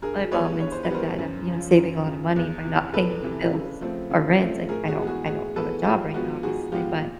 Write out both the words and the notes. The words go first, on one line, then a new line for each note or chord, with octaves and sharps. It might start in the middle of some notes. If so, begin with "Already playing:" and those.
my mom and stepdad. I'm, you know, saving a lotta money by not paying any bills or rents. Like, I don't I don't have a job right now, obviously, but,
G2 G#4 A#4
E3 G3 B3 B4 C#5
G2 C#5
C5
B4
E3 G3 B3 A#4 C5
F#2
C#3 F3
F#2
C#3 F3
E2
C3 E3
E2 A4 B4
C3 E3
C#3
F3 A3 C4
C#3
F3 A3 C4
A2 G#4 A#4
F#4 G#4
E3 G#3 B3
F#4 G#4
A2 F#4 G#4
E3 G#3 B3 A4 B4
G#2 F4 G4
F3 G#3 B3 F#4
G#2 F#4 G#4
F3 G#3 B3 F4 G4
A#2